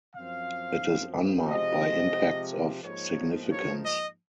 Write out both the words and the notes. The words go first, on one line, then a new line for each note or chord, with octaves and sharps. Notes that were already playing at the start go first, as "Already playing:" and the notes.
It is unmarked by impacts of significance.
F#2 F3 C4 F5
C3 F3 G#3 D#5
G#2 F3 A#3 D#4 C#5
C#5
D#5